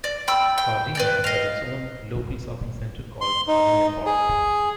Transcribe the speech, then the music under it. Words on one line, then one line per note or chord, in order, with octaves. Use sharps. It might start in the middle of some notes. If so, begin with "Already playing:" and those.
Kardinya has its own local shopping Centre called Kardinya Park.
D5
G5 B5 E6
G5
B4 D5 G5
D#5 F5
C6
D#4
G#4